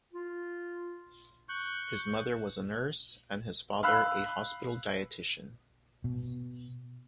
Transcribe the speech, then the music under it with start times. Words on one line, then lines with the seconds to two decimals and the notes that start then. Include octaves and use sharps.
His mother was a nurse and his father a hospital dietitian.
0.13 F4
1.49 C#6 F#6 G6
3.83 F5 B5 E6 F#6
6.04 B2